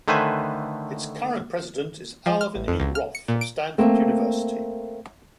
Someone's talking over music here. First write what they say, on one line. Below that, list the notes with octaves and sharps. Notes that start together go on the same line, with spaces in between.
Its current president is Alvin E. Roth of Stanford University.
D3 D#3 A3 B4 C5 G#5
F3
F6
A1
F2
C#2
F6
C#7
A#2
D7
A3 A#3 C4